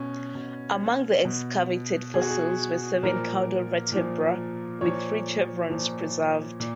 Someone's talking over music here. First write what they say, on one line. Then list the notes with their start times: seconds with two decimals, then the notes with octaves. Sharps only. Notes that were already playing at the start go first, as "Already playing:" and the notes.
Among the excavated fossils were seven caudal vertebrae with three chevrons preserved.
Already playing: B2 C#4
0.35 B2
1.25 B2
2.14 B2 G#4
2.21 F#4
2.28 G#4
3.03 A#2 F3 A#4
3.92 A#2 F3
4.81 A#2 F3 C#5
5.70 A#2 F3
6.60 A#2